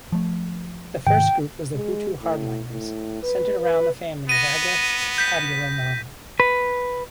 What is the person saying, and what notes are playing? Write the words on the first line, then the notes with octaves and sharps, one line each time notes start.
The first group was the Hutu hardliners, centred around the family of Agathe Habyarimana.
F3 A3
G#2 C3 D#3 G5
G#3
A2
A2
B4
B4
B3 A#6 D#7
G6 B6
B4